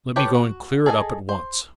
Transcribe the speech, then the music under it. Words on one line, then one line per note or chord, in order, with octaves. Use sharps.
Let me go and clear it up at once.
G4 A4 B4 C#5
F#4
G#4 A4 D#5 G#5
C5